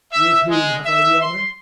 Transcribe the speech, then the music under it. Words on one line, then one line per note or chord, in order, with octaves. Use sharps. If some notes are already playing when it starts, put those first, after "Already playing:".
"With whom have I the honour?"
E5
G#3
E5
C6